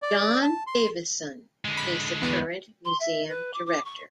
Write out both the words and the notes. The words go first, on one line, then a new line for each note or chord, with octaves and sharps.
John Davison is the current museum director.
D5
A5
C6
D3 G#3
B5
E2 B3 F#5
C6
E5
B4
D6
D6
C#6